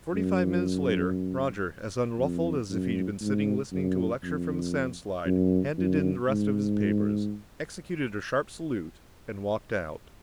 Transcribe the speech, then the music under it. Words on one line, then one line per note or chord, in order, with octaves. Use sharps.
Forty-five minutes later, Roger, as unruffled as if he had been sitting listening to a lecture from a sound slide, handed in the rest of his papers, executed a sharp salute and walked out.
F#2
F2
F#2
G#2
F#2
F2
F#2
F#2
G#2